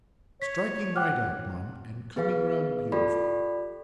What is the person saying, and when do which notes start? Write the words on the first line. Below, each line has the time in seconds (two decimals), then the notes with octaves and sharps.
'Striking right out, mum, and coming round beautiful.'
0.42 C#5 B6
0.96 F#5 G5 D6 F6
2.16 B3 G#4 B4 F5
2.92 F4 G4 A4 D5 B5